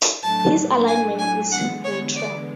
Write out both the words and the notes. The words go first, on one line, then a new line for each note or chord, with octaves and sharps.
His alignment is Neutral.
A2 F#3 A3 D4 A5
G#5
G#5
E2 D3 G#3 B3 F#5
C#5
D5